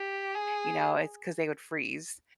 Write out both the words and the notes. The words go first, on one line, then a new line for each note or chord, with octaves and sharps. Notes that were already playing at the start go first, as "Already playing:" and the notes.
you know? It's 'cause they would freeze,
Already playing: G4
G#4